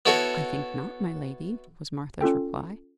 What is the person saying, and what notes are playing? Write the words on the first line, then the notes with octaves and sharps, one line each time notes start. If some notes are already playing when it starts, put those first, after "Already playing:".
"I think not, my lady," was Martha's reply.
B3 E4 F#4 A4 C#5
C#4 F4 A4 G5